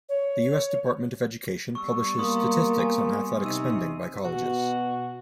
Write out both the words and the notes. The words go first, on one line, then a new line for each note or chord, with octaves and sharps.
The U. S. Department of Education publishes statistics on athletic spending by colleges.
C#5
G3 B3 C#6 E6
A#3 C6 D#6
G#5
C3 D#4 E6 D#7
B2 F#4